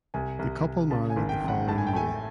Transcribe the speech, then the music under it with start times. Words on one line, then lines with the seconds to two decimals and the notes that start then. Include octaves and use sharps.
The couple married the following year.
0.14 C2 G#5
0.39 C2
0.65 C2
0.90 C#3 A5
1.10 G#5
1.16 G#1
1.29 G5
1.41 F#2 G5
1.48 F#5
1.68 A2 A5
1.78 G#5
1.87 G5
1.93 A3 G#5